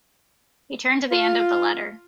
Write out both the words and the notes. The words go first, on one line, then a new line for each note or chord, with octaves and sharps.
He turned to the end of the letter.
F4